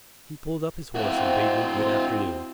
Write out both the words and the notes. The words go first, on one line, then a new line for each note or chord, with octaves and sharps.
He pulled up his horse and bade me good-afternoon.
C4 E4 F#4